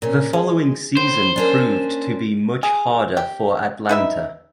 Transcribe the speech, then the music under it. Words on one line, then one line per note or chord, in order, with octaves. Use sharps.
The following season proved to be much harder for Atalanta.
A#2 C#4
G#3
A2 C5
A#3 C#4 D4
G#4
G4
D#4 B4 E5